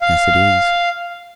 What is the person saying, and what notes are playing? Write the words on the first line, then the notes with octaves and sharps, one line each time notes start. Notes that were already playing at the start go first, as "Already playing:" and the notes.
"Yes, it is."
F5